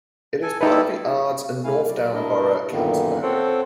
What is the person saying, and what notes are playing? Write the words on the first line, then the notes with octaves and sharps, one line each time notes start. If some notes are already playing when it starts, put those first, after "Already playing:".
It is part of the Ards and North Down Borough Council area.
A4 G#5
G3 D#4 E4 A4 B4
D3 A3 E4 F5 G#5
F#3 D5
B2 D4 E4 A#4 D#5
F#2 A#2 D3 D#3 A#3 B3
C4 A4 C5 C#5 F#5 G5